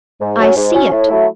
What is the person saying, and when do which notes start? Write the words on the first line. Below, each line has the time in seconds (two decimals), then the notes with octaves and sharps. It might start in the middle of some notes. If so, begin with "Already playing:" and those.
I see it!
0.21 G#2
0.39 F#3 C#4
0.56 G#2
0.74 F#3 C#4
0.91 A2
1.08 F#3 A3 E4